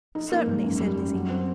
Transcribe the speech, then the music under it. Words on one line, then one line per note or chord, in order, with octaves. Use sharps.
"Certainly," said Lizzie.
D#4
A#3
G#2
F#2
G3
F#2
F#3
C4